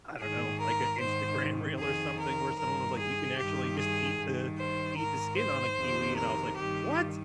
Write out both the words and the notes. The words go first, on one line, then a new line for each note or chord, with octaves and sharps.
I don't know, like, an Instagram reel or something where someone was like, you can actually just eat the eat the skin on a kiwi, and I was like, "What?"
G#2 D#3 G#4
A#4
G#2 D#3 C5
F2 D#3 G#4
A#4
G2 D#3 A#4
G#4
G2 D#3 G4
G#4
G2 D#3
C5
G#2 D#3 A#4
C5
F2 C3 D#3
A#4
G2 D#3 G4